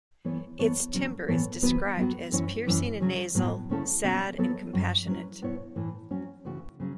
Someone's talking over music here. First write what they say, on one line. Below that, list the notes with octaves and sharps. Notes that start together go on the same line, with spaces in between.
Its timbre is described as "piercing and nasal, sad and compassionate".
E3 B3 A4 C#5
E3 B3 A4 C#5
E2 B2 F#3 C#4
A2 E3 B3 A4 C#5
E3 B3 F#4 B4
F#3 B3 F#4
F#2 E3 C#4 E4 C#5
F#2 E3 C#4
C#3 F#3 C#4
A2 F#3 B3
C#3 A3 C#4 E4 A4
B2 F#3 A3 C#4 F#4
F#3 B3 A4 C#5
F#2 F#3 C#4 F#4
F#3 C#4 E4 B4
B2 B3 E4 C#5
A2 E3 A3
F#3 C#4 F#4
C#3 E3 A3 F#4
C#3 F#3 C#4